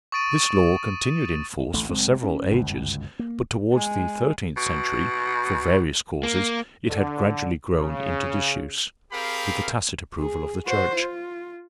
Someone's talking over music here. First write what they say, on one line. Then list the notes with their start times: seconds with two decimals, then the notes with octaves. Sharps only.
This law continued in force for several ages, but towards the thirteenth century, for various causes, it had gradually grown into disuse, with the tacit approval of the Church.
0.12 C#6 D#6 A6 D7 D#7
1.74 A1 D2 A3
1.89 F#1 G#3 C4
2.23 C#4
2.51 G1 C#2 F#2
3.19 A#3
3.72 G#3
4.57 B2
6.23 A#3
6.89 D3
7.73 C#3
9.12 C4 G4 G#4 A#4 F5 B5
10.18 G#4
10.65 F#4 C5
10.96 F4